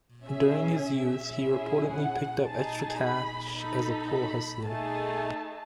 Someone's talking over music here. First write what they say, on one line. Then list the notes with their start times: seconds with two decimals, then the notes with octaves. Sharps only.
During his youth, he reportedly picked up extra cash as a pool hustler.
0.26 C#4 G#4 E5
0.81 E5
1.36 C#4 E4 G#4
1.91 F#5
2.46 D#4 G#4 A5
3.01 B5
3.56 D#4 A4 B5
4.12 B5
4.66 A3 D#4 G#4 A5